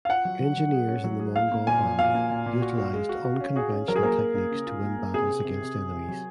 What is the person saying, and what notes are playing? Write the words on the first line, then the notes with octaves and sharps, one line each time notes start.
Engineers in the Mongol Army utilized unconventional techniques to win battles against enemies.
F5
F4 F#5
F#3
F#3
F#3
G#4
C#4
F#3
G#4
A#3 F5
A#3
A#2 G#5
F3
A#2 F5
A#3
A#2
A#2
F#4
F#4
G#3
F#4
F#4
C#4
F#4 G#4
C#4
F#3 A#4
G#4
A#3 A#4
A#3
A#3
C#3
F4
A#3
A#3
C3 G#4
C4
C3
C3
C3
C3
F#3